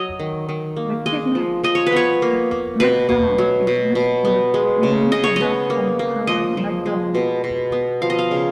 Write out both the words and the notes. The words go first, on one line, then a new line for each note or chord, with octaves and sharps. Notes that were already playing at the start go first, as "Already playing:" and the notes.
The kidnapped McDonald is rescued, with a little help from Joey McDonald.
Already playing: F#3 D#5
D#3
D#3
A#3
G#3 D#5
F3
F3 D#5
C#5
B4
B3 C#5
A#3
A#3
B2 B4
B2
F#3
B2
B2
B3
G#3
C#3
C#3 D#5
C#5
B3 D#5
A#3
A#3
F3 D#5
F3
G#3
B2
B2
B3
F3 F5
D#5
F5
C#3